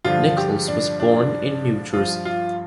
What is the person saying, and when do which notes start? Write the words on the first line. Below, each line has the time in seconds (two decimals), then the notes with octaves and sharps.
Nichols was born in New Jersey.
0.05 G2 D3 F3 F4
0.37 G4
0.68 D4
1.00 D4
1.94 G2 F3 F4
2.25 F4